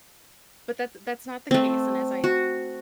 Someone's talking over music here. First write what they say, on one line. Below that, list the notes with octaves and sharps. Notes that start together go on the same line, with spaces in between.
Bbut that that's not the case, and as I
A3 C4
F#4